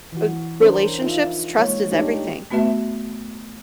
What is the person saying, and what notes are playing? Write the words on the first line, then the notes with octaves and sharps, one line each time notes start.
r relationships, trust is everything.
E3 F#4
C#4 D4 A#4 C5
D#4 F4 E5
G#3 A#3 C#5
A3 D4 D#4 G4 C#5
A3 B3 F#4 B4 E5